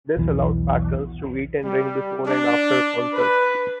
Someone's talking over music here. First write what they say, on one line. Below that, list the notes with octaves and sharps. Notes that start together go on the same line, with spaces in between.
This allowed patrons to eat and drink before and after concerts.
B1 E2 E3
G3
D4
B4